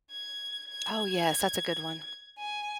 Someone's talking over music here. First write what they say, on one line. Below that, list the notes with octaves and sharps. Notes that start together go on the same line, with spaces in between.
Oh, yes, that's a good one.
G#6
G#6
G#5